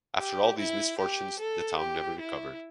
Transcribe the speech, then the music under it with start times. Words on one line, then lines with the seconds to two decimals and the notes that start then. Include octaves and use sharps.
After all these misfortunes, the town never recovered.
0.18 G4
0.59 E4
0.99 G4
1.39 A4
1.79 G4
2.19 E4